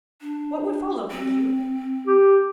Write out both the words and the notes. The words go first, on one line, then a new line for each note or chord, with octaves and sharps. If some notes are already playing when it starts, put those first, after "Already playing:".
What would follow, think you?
D4
C4
G4